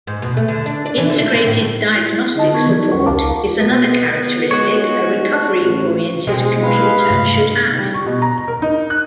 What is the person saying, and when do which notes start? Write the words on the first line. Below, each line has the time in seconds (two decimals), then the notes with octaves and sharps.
Integrated diagnostic support is another characteristic a recovery-oriented computer should have.
0.07 G#2
0.22 B2
0.37 A3
0.48 D3
0.66 D4
0.86 D5
0.98 E3
1.10 D3
1.21 A#3
1.35 D3
1.47 A2
2.35 D3 D#4 D#5 A5
2.53 B3 A#4 C#6 G#6
2.67 E3 F#3 D5
2.80 D#4
2.92 E2 G3 C#4 C5 F#5 C#6
3.06 C#2 A#4 F5 A5 A#5 D6
3.60 B2 B3
4.51 G#3 F#4 C#5
5.61 A1
6.27 B2 G#3 C4
6.63 B4 F5
7.10 G2 C3 A3
7.79 G3
7.94 C#6
8.06 B2
8.22 A#5
8.48 A#4
8.62 D#4
8.90 F#6